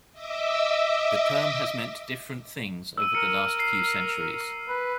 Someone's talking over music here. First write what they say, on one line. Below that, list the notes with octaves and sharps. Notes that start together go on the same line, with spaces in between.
The term has meant different things over the last few centuries.
D#5 E5 D6 E6
E6 D#7
A#4 C#7
C7
B4